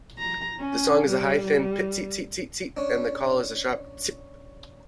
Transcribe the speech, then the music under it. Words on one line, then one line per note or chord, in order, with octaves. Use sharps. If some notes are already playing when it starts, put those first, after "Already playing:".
The song is a high thin "pit-seet-seet-seet-seet", and the call is a sharp "tsip".
A#5
C#4
G3
C#4 D4